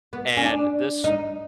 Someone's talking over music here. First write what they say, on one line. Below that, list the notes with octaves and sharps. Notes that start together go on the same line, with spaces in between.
and this
B3
C#4
D4
D#4